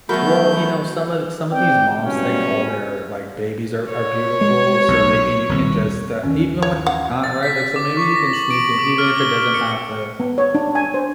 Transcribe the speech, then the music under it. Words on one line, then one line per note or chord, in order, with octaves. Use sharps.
Ju well, you know, some of some of these moms think all their, like, babies are are beautiful, so maybe you can just, uh, even when not right, like, so maybe you can sneak it, even if it doesn't have the
F#3 A3 B3 F#4 A#4 B5 G6
C4 D5 G5
F#1 D2 G2 B2 C#4
C#5
G#3
B1
D#1 C2 C3
G1 D#2 E3 C#4
C#5
F5 F#5
A6
B6
D6
C#6
A#6
F#7
D7
D6
F6
G7
C#7
B3
C#5
D4
G#5
C5